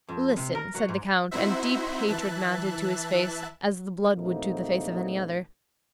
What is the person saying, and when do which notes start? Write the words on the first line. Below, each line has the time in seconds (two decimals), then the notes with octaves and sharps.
"Listen," said the count, and deep hatred mounted to his face, as the blood would to the face of any other.
0.09 F2
0.37 C3
0.55 A#4
0.75 F#3
0.89 G#2
1.31 C4 D#4 E4 F#4 C5 E5
2.07 E3 E5 A5 F#6
4.17 A#1 F#3 A3 A#3 C4 D#4